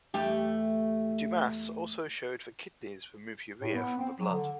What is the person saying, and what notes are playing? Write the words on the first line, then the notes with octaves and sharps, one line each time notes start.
Dumas also showed that kidneys remove urea from the blood.
E2 A3 G4
A2
B3
C4
F#3
D3